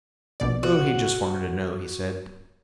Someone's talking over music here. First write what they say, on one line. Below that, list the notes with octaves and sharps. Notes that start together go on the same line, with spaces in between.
Oh, he just wanted to know, he said.
A#1 B2 D5
F#4